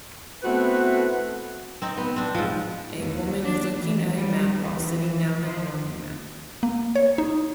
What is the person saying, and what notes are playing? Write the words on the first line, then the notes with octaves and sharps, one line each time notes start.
A woman is looking at a map while sitting down in a laundromat.
A3 B3 C4 E4 F#4 B4
C4 D#4
B3
C4 D4
G#2 F3
D#2
D4
E3
G3
E3
F3
A#3
C#5
D#4